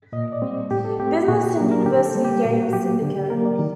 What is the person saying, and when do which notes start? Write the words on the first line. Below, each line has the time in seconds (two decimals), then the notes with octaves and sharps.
'Business and University Games Syndicate'.
0.13 A#2 D#5
0.32 D5
0.42 G3 C4
0.71 A2 G4
0.85 A4
0.99 A3 C4 G4
1.13 F#4
1.28 A#2 F#4
1.43 G4
1.57 F#3 A#3 A#4
1.71 A#4
1.86 D3 G4
2.06 A4
2.15 G3 A#3
2.25 G4
2.44 A#2 F#4
2.53 G4
2.62 F#4
2.73 F#3 A#3 G4
3.02 D3
3.16 G4
3.30 F#3 A#3 A#4
3.45 D5
3.59 D#3